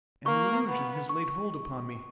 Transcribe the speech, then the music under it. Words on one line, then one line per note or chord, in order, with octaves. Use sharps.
An illusion has laid hold upon me.
A#3 C#6
B3
C#6